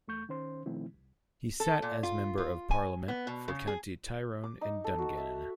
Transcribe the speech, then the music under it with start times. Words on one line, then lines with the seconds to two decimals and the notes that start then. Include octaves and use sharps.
He sat as Member of Parliament for County Tyrone and Dungannon.
0.08 E2 A3 C#6 G6
0.29 D#3 C#4 C5 C6
0.66 B2 D#3 F3 A3 C4 E4
0.94 C2
1.60 A4
1.82 A#2
2.03 F4
2.38 F4
2.71 G#5
3.08 B3
3.27 B2
3.48 C#3
3.67 G#4
4.44 D6
4.61 D#4
4.84 A4
4.98 F#4
5.18 E5